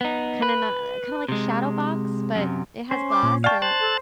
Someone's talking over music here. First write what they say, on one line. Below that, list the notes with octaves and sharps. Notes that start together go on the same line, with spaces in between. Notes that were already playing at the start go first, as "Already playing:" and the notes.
kinda n uh, kinda, like, a shadow box, but it has glass and it
B3 D#4
B4
C3 G#3
F#2 C3
C#4 C5
D6
A#2
D5 F5 G5 A5 C#6
C5 A5 F#6 A6
A4